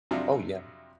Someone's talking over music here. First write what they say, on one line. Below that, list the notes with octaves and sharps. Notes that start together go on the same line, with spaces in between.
Oh, yeah.
F2 C3 F#3 D4 E4 F4